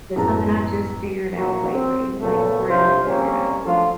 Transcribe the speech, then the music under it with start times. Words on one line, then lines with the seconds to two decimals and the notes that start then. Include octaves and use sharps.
That's something I just figured out lately, like, really figured out.
0.16 F#2 A2 B3 G#4 A5 A#5
1.36 A#2 F#3 A#3 F#4
1.74 C4
2.21 A#2 C#3 F#3 A3 B3 A4
2.67 G2 C3 F#3 F4 C5
3.06 G3 A#3 C4 C#4
3.65 F3 F#3 A3 D4 F4 A4